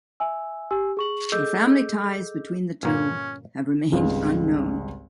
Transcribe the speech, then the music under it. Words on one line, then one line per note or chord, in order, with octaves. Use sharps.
The family ties between the two have remained unknown.
E5 G#5 E6
G4 G#5 E6
G#4 C#6 F#7
G#4 A4 D#5 D6 E6 G6
G1 A#2 A#3 C#4
G#1 C#2 G3 G#3 F5